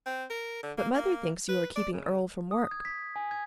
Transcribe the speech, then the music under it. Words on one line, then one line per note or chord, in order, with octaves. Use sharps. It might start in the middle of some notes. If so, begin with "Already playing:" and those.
"But mother thinks you are keeping Earle from work."
C4
A#4
D3
A#3
A#3
B4
D5
C#3
D#6
G#6
B6
G#5
G#6